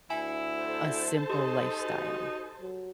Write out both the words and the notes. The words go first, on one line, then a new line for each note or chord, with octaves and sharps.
a simple lifestyle.
D2 E4 G#5
A4 C5 A5
D#4 G4 C6
F#4
F#3